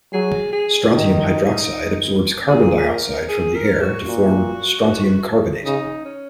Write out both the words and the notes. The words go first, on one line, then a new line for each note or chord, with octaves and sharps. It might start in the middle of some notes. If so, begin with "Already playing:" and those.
Strontium hydroxide absorbs carbon dioxide from the air to form strontium carbonate.
F#3 G#4
G#4
D#3 D#4
A#2 G#4
A#4
G#4
A#4
F#4
A#2 F#4
C#3 D#4
C#4